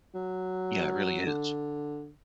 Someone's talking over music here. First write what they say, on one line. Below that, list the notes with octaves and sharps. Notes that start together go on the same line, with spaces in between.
Yeah, it really is.
F#3
D3